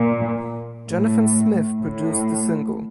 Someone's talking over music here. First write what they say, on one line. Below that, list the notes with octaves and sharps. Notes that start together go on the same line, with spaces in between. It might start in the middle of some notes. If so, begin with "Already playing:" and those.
Jonathan Smith produced the single.
Already playing: A#2
A2
A2